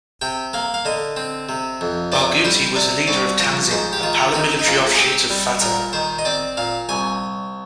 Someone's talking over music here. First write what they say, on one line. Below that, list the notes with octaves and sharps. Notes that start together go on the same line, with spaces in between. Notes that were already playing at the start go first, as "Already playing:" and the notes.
Barghouti was a leader of Tanzim, a paramilitary offshoot of Fatah.
C3 G5
A#3 F5
F5
D3 D#5
C4
C3
F2
C3 D5
G3 C5
C3 D5
C2 D5
F3 C5
G#2 C5
G4
D#3 F4
C4 D#4
D#4
G#2 F4
G#4
C4 G4
G3
A#2 A#4
D#3 C5
D#5
C4 D5
A#2 F5
C2 G#5